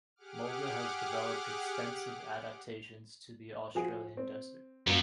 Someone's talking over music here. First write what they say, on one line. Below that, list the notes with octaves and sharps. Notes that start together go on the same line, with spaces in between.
Mulga has developed extensive adaptations to the Australian desert.
G4 G#4 F#5 D6 F6
F3 F#4 G#4
C4
F#2 F#3 A#3 F5